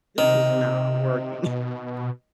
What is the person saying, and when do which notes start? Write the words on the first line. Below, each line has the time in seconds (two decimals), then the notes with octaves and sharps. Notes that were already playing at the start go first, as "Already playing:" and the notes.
this is not working."
0.18 C3 D#3
1.46 B2